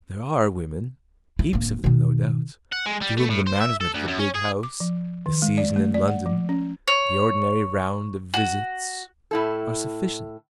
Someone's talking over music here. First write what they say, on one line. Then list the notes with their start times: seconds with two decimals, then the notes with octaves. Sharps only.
There are women, heaps of them, no doubt, to whom the management of a big house, the season in London, the ordinary round of visits, are sufficient.
1.39 E4
1.53 D1 A#3
1.84 B2 D#3
2.72 F#5
2.86 G#3
3.02 G3
3.18 A3
3.30 A2
3.47 C5
3.60 E5
3.81 A4
3.94 D2
4.08 F#2
4.19 C#4
4.35 G#4
4.63 D6
4.80 F3
5.26 D#3
5.42 G#3
5.58 D5
5.76 A3
5.94 D5
6.08 F#5
6.26 F3
6.49 C#4
6.88 C#5
8.34 F#4
9.31 A2 E4 A4